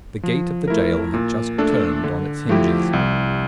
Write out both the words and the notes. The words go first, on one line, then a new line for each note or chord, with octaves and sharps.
The gate of the jail had just turned on its hinges.
F3
A3 E4 A#4
A#2
A3 D4 A4
D3
F3 A3 E4 G4
C2